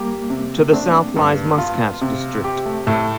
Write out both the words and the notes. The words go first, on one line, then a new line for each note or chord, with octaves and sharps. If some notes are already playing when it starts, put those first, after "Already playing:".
To the south lies Muscat District.
Already playing: G3 A#3 G4
C3
A3 C4 D4
G2
F4
C3
G4
A3
A2 A3